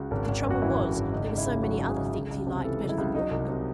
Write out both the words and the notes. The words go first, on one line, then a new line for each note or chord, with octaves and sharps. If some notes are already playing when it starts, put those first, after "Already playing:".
"The trouble was, there were so many other things he liked better than work."
Already playing: C#2 F#4
G#1
G#1
F#2
F#4
E3 E4
G#1
G#1
C#2 D#4
C#2
E4
C#3
F#3 F#4
C#2
G#4
C#2
C#2
C#2
C3
E3 A4
C#2
E4
C#2
F#3 D#4
C2
C3